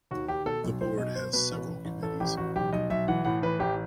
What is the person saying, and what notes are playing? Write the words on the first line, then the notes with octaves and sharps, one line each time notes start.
The board has several committees.
D#2 F#4
D#3 G4
B2 A4
B1
B1 C5
B2 D#5
F#3 C5
B2 B4
A1
A1
A1
A1 A4
A1 G4
A1 F#4
B1 G4
B1 D#5
B1 E5
E3 F#5
A2 F#5
E3 B4
A1 G4